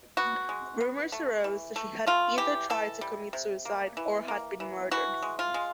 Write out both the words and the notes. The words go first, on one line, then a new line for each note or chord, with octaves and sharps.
Rumors arose that she had either tried to commit suicide or had been murdered.
B3 F#4
G#3
B3
A3
E3
A3
A3 F4
E3 G4
E3 A4
G3
C3
A#3
E3
A#3
E3
E3 F#4
G#3
F4
G#3